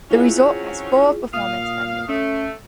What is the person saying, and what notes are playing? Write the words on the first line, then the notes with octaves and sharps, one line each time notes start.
The resort has four performance venues.
F#3 C4 C#4 E4 F4 G#4
A#2 F5 D#6
A3 C#4